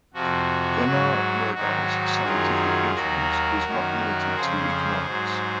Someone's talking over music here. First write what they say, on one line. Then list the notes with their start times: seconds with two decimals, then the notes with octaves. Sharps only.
Gunnar Myrdal's scientific influence was not limited to economics.
0.14 F2 C3 F3 F#4
0.84 G#2 F#3
1.54 G#2 D#3 F#3 F#4
2.24 F#2 D#3 F#3 F4 G#4
2.94 D#2 D#3 F#3 F#4 A#4
3.65 F#2 D#3 F#3
4.35 F2 C#3 F3 G#4 C5
5.05 G#2 F#3